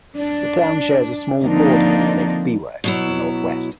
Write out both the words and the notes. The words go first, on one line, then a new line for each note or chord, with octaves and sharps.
The town shares a small border with Lake Biwa to the northwest.
D4
D3 F3 A#3 C4 D4 D#4
B2 F#3 E4